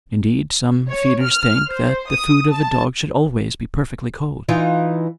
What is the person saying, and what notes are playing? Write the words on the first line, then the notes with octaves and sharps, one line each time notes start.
Indeed, some feeders think that the food of a dog should always be perfectly cold.
C#5
F6
C5
D#6
A5
E3 D#4 F4